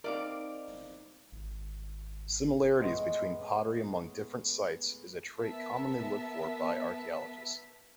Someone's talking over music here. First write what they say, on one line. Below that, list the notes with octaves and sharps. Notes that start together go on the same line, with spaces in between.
Similarities between pottery among different sites is a trait commonly looked for by archaeologists.
C4 D#4 A#4 D5 F5 D6
G#1
A2 G#3 B3
B3 A#4 E5 A5 B6